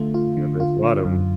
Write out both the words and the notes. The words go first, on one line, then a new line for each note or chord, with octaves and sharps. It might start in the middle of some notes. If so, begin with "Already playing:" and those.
Yeah, there's a lot of 'em.
Already playing: D3 A3 F4
F4
D3
F4
D3
F#2